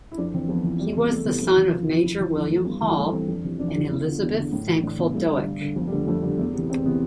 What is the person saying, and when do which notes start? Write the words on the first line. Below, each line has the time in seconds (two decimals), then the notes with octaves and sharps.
He was the son of Major William Hall and Elizabeth Thankful Doak.
0.12 E4
0.18 F2 D4
0.34 E3 C4
0.49 F2 B3
0.64 E3
0.79 E2 G3
0.95 C3 E3
1.10 E2 A3
1.26 C3 E3 B3
1.42 F2 E4
1.57 E3
1.73 F2 F4
1.89 E3
2.03 F2 E4
2.20 E3 E4
2.36 F2
2.50 E3 A3
2.66 G2 B3
2.81 E3 A3
2.97 G2 A3
3.12 E3 C4
3.28 F2 D4
3.44 C3 E3
3.59 F2 D4
3.74 C3 E3
3.90 E2 E4
4.05 D3 F4
4.22 E2 E4
4.37 D3
4.53 A2
4.68 E3
4.83 A2 D4
4.98 E3 B3
5.15 G2 A3
5.30 D3 G3
5.45 G2
5.61 D3
5.76 F2 B3
5.87 G3
5.92 D3 A3
6.07 F2 A3
6.23 D3 G3
6.38 E2 A3
6.54 C3 B3
6.58 E3
6.70 E2 C4
6.86 C3 E3 B3